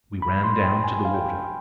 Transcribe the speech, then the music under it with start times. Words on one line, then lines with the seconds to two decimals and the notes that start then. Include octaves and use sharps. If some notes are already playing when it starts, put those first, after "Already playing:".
We ran down to the water.
0.22 B5
0.44 C6
0.64 G5
0.84 G#5
1.05 F5
1.14 G5